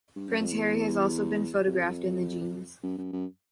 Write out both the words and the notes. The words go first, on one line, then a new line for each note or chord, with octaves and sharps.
Prince Harry has also been photographed in the jeans.
G2
F#2
F2
E2
F2
F#2
F#2
F#2